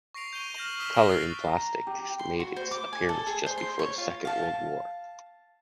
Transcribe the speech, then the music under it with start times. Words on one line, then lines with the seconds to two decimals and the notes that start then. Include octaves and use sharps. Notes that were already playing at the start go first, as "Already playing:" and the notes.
Color in plastics made its appearance just before the Second World War.
0.14 C#6 A#6 C7 D7 F7
0.33 G6 D#7 G7
0.55 F6 G6 A#6 E7 F#7
0.79 D#6 E6 B6 E7 F#7 G7
0.94 A#6 B6 D7 G7
1.08 C#6 F#6 A6 A#6 C7 G7
1.45 A#5
1.87 G4
2.19 C6
2.40 F#4
2.56 C5
2.71 D6
2.93 G#5
3.09 A4
3.27 G#4
3.46 C5
3.58 C6
3.79 C#5
3.98 F4
4.25 F5 A5